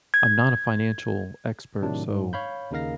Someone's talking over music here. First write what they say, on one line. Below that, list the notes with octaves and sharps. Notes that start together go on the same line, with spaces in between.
I'm not a financial expert, so
G#6
A2 C3 D#3 F#3 D4
G#2
C#5 F5 B5 G6
D#2 C#3 D#4 A#4 F5 A#6